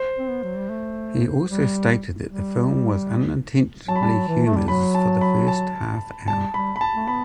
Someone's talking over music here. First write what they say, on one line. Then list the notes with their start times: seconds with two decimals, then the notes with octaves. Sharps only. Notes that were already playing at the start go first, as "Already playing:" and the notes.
He also stated that the film was unintentionally humours for the first half hour.
Already playing: C5
0.18 C4
0.29 B3
0.43 F#3
0.57 G3
0.69 A3
1.49 G3
2.29 G3
3.88 F#3 A5
3.96 B5
4.01 G3 A5
4.14 F#3
4.28 E3
4.46 A3
4.57 G3
4.68 F#3 B5
4.95 A5
5.21 B5
5.48 A5
6.28 G3 A5
6.54 G3 B5
6.76 B5
6.81 A5
6.95 A3
7.07 B3 B5